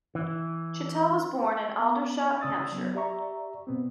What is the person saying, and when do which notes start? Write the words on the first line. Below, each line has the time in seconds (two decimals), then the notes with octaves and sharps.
Chittell was born in Aldershot, Hampshire.
0.15 E3
1.80 B3
2.41 C#3 C#4 D5 D#6 E6 A6
2.72 F#3 B3
2.95 G4 D5 E5 A#5 C#6
3.67 B2 B3 C4